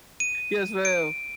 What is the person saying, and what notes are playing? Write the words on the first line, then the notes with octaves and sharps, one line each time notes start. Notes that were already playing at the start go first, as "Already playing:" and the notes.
Yes, ma'am.
D#7
D7